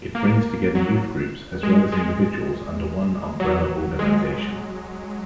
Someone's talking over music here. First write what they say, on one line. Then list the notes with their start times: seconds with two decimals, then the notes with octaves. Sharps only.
It brings together youth groups as well as individuals under one umbrella organisation.
0.15 A#3
0.75 F#3
1.63 G#3
1.92 G#3
3.40 F#3
3.99 G#3